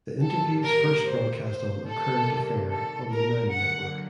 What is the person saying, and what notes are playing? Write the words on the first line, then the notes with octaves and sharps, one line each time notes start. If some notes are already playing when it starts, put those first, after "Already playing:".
The interviews first broadcast on "A Current Affair" on the Nine Network.
A2 G3 A#3 A4
A#4
C5
C5
C3 D#3 G3 A#3 A4
A4
A#4
D3 F#3 A#3 F#5